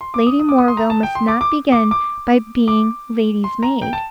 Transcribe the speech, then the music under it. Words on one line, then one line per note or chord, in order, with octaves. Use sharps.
'Lady Morville must not begin by being lady's-maid.'
C6
D6
D#6
D#6
D6
D#6
C6
A#5
A5
G5
C6
D6
D6
D6
D6
D6
C6
A#5
G5
A5